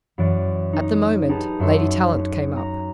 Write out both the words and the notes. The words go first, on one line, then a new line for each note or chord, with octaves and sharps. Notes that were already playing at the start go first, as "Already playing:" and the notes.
At the moment, Lady Tallant came up.
F#2 E3 D5
D#4
D#4 G4 G#4 B4 A5
F#2 E5 C6
A#5